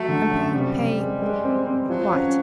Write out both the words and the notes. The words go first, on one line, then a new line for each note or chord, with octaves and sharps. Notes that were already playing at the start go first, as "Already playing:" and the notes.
Compare PAY; REQUITE.
Already playing: F#3 A3
D3
F#2
C3 G3
C3
G#3
G#3
C4
C4
F3 F#3
C#4